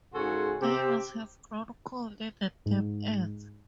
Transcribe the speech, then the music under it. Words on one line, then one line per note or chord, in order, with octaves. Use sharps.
They must have grown cold in the damp earth.
G#2 C#3 F#4 A4 G#5 C6
C3 C4 G4
G#2